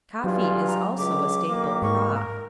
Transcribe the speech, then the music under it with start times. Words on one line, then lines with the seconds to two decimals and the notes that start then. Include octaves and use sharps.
Coffee is also a staple crop.
0.24 G2 E3 F#3 F4
0.67 A#5
0.98 C#2 D6
1.48 B1 D#3 A#3
1.82 G#2 C#6
2.15 A#4